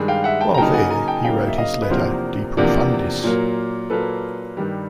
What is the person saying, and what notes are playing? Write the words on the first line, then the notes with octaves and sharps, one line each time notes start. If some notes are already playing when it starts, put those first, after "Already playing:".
While there, he wrote his letter "De Profundis".
Already playing: G2 D#3 G#3
F5 G5
E5 F#5
G5 A5
A#5
C#3 F#3 A#3 D#4 G5 A5
F#5 G#5
G#5 A#5
G#5
G5 A5
G#5
C#3 F#3 A#3 D#4 F5 G5
E5
D#5 F5
B4
E2 C3 F3 A#3 D4 A#4 C5
E2 C3 F3 A#3 D4
A#2 F#3 A#3
A#2 F#3 A#3 A4 B4
G2 D#3 G3